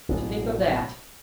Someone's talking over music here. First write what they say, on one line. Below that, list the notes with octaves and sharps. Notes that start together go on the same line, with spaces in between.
'To think of that!
A1 B2 F#3